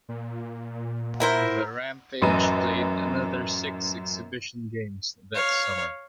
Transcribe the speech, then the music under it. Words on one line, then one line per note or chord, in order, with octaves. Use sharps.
The Rampage played another six exhibition games that summer.
A#2
E4 A#4 C5
A1 F#2 B4 D#5 D#7
C#5 F5